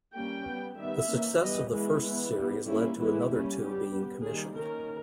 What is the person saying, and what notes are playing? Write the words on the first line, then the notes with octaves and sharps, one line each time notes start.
The success of the first series led to another two being commissioned.
G3 A#3 C#4 G5
B3
G3
D#3 G3 B3 E5
E3 A#3 C#4
E3 G3 B3 D#5
E3 G#3 B3 E4
E3 G#3 B3
G3 B3
G3 A#3 C#4 E4
E3 G#3 B3 E4
G3 A#3 C#4
G3 B3 G4
G3 B3
D#3 G3 A#3 G#4
D#3 A#3 C#4 A#4